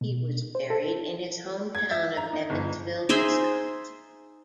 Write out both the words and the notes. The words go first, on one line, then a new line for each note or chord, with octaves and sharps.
He was buried in his hometown of Evansville, Wisconsin.
B2
C5
A4
G#6
E5
A#5
D#4
G1
D#4 G#4 C5 E5